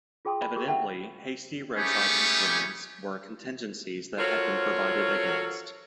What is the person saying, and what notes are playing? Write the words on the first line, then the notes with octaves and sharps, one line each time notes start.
Evidently hasty roadside interments were contingencies that had been provided against.
F4 G#4 G5 A5 C6 D#6
G#5 B5
F4 G4 G#4 A#4
E5 F#5 G5 A5
G3 A3 B3 C#4 G4 G#4
F4 F#4 A4 A#4 C5 C#5